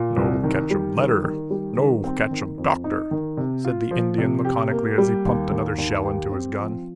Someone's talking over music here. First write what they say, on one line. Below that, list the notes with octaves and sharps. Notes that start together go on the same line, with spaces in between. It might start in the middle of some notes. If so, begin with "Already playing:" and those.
"No ketchum letter, no ketchum Doctor," said the Indian laconically as he pumped another shell into his gun.
Already playing: A#2
C2
D#3
G3
D#3
D#3
G3
D#3
C4
D#3
F2
D#4
D#3
C3
F4
F3
C3
G4
A#3
G3
D#2
D#3
D#2
G4
C4
F3